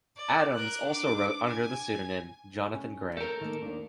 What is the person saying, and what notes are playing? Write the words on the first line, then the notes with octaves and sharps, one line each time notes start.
Adams also wrote under the pseudonym 'Jonathan Gray'.
D5
A#4 F#6
D4 D6
G#5
C#4
A4 A#4 C#5 G5
D#3 A#3
D#2 D4